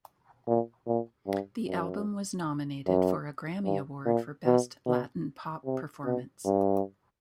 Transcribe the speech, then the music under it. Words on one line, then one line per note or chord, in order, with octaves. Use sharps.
The album was nominated for a Grammy Award for Best Latin Pop Performance.
A#2
A#2
G2
F#2
F#2
G2
A#2
B2
B2
C3
B2
G2